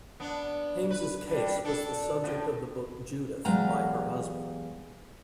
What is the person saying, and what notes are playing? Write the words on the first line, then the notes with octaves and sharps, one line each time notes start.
Haimes's case was the subject of the book "Judith" by her husband.
B3 D4
B4
D3 G3
D4 A4
A2 C#3 B3
E2 F#3 G#3 G4 F5 A#5